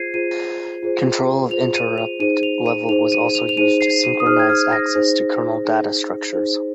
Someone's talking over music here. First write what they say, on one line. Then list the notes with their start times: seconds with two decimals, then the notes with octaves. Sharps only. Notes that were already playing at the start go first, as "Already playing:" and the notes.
Control of interrupt level was also used to synchronize access to kernel data structures.
Already playing: F4 G#4 C5 G#6 C7 D#7
0.14 F4 G#4 C5 D#7
0.82 F4 G#4 C5
1.51 F4 G#4 C5 F7
1.75 D#7
1.98 F7
2.20 D#4 G#4 C5 D#7
2.43 F7
2.66 D#7
2.89 D#4 G#4 C5 F7
3.12 D#7
3.35 F7
3.49 F7
3.57 D#4 G#4 C5 D#7
3.81 C7
4.04 D#7
4.20 D#6
4.26 D#4 G#4 C5 F6
4.39 G#6
4.50 F6
4.72 A#6
4.95 D#4 G#4 C5
5.64 D#4 G#4 C5
6.33 D#4 G#4 C5